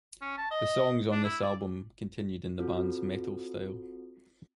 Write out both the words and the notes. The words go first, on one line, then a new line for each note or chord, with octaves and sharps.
The songs on this album continued in the band's metal style.
C#4
A5
D#5
D4
E4
D5
C4 F4 F#4 A4